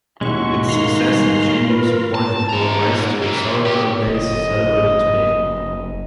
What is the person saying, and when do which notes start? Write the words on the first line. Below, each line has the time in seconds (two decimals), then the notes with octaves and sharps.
Its success in changing support has brought rise to the Sauerkraut Days celebrated today.
0.21 D#2 B2 G#3 C#4 E4 F#4 C#6
0.68 D#3 F5 A#5 C6
1.10 G3
1.69 F4 A#4 B4
2.15 A5
2.49 E3 A#5
2.79 G#2
3.22 D#3 E3
3.65 C#2 G4
4.07 F#1 D#5